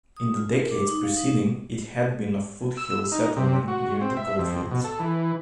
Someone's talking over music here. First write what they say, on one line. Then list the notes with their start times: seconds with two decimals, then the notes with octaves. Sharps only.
In the decades preceding, it had been a foothills settlement near the gold fields.
0.17 D#6
0.36 F4
0.57 A#4
0.71 D6
0.88 D#4
1.03 F5
1.17 D#4
2.77 E6
3.12 D#4
3.36 C3
3.68 F#4
4.01 C4
4.17 E5
4.39 F2
4.71 B2
4.85 A4
4.99 E3